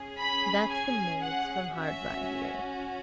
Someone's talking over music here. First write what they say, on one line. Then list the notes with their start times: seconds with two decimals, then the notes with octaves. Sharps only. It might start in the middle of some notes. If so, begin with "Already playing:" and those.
"That's the maids from hard by here."
Already playing: C#4 G#4
0.19 B5
0.71 G#5
1.23 F#5
1.75 C#4 F#4 E5